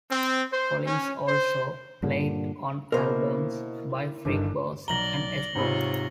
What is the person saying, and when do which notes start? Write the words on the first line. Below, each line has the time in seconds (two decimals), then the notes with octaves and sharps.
Collins also played on albums by Freekbass and H-Bomb.
0.11 C4
0.52 C5
0.86 C#4
1.28 C5
2.03 G2 A#2 D3
2.92 B2 A#3 E4 A#4 C5
4.25 G1 G2 D#3 D4
4.88 B1 D5 A#5 A#6 F#7 G7
5.56 G#2 C3 F4 C#5